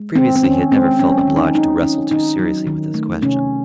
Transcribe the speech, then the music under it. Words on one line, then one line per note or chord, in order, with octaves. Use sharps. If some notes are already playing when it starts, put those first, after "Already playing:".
Previously he had never felt obliged to wrestle too seriously with this question.
Already playing: G#3
D#3 C4
C4
D#3 C#4
G#3 C4
F#3 C#4
C#4
D#3
D#4
D#3 D#4
D#3 C#4
D#3 D#4
F#3
D#3
A3
C3 C#4